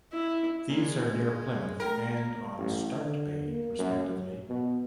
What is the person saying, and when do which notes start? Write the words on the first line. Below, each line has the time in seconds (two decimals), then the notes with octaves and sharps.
These are near Plymouth and on Start Bay respectively.
0.13 E4
0.70 G#3 A#3 C#4 D4
1.80 A3 A#4 G5 A#5
2.58 A1
2.95 D3
3.48 A#3
3.79 F#2
4.10 F#3
4.49 B2